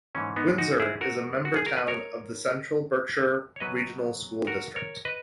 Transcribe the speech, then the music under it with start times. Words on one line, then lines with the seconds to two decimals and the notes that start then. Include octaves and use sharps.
Windsor is a member town of the Central Berkshire Regional School District.
0.15 G#2 E3 A#3 C#4
0.36 B3 D#4
0.58 D#4 F#4
0.80 E4 G#4
1.01 F#4 A#4
1.45 F#4
1.56 G#4
1.66 A#4
1.77 B4
1.88 A#4 C#5
3.56 C#5
3.60 F#2 C#3 F#3 B3 B4 D#5
4.47 F#4 A#4
4.76 A#4 C#5
5.05 B4 D#5